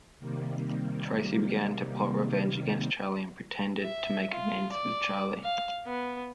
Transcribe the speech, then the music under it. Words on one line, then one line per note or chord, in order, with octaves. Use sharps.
Tracy began to plot revenge against Charlie and pretended to make amends with Charlie.
C3 D#3 G3 A#3
E5
F4
D5
F5
B3